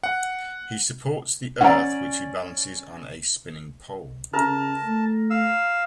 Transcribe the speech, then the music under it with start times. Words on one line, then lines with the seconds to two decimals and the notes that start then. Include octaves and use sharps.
He supports the Earth which he balances on a spinning pole.
0.03 F#5
1.61 C#4 D5 F#5 A#5
4.33 C#3 A#4 A5
4.84 A3
5.30 F5 E6